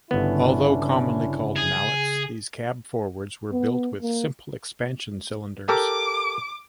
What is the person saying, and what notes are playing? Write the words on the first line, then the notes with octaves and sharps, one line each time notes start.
Although commonly called "Mallets" these cab-forwards were built with simple expansion cylinders.
G1 C#3 B3 C#4 D4 E4
G#4
B3
A#3
G4 A4 A#4 D6